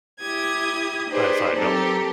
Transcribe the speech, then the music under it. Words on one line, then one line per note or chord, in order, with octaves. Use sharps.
Alright, sorry, I don't.
E4 G4 D#6 G#6
D#4 G4 G#4 B4 C5 D5
F#3 C4 G4 A4 A#4